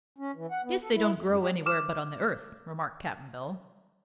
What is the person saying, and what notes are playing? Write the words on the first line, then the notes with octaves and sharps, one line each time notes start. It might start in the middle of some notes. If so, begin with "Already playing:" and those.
"Guess they don't grow anywhere but on the Earth," remarked Cap'n Bill.
C#4
E3
F#5
B3
A4
E4
F2
F#2
G4
D6 F6 E7